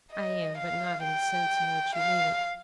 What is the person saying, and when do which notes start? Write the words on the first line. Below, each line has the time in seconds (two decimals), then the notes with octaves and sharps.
I am--but not in the sense in which you mean it.
0.12 D#5
0.57 F5
1.04 G5
1.95 F5